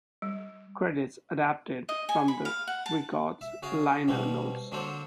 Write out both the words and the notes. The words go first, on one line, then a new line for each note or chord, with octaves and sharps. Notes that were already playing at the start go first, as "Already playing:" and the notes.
Credits adapted from the records' liner notes.
G3
D#5
G#5
B5
F5
F#5
A5
E5
C#3 F#4 G#4 F5
B2 G3 A#3 C4
D3 F#3 A#3 D4 A4 C5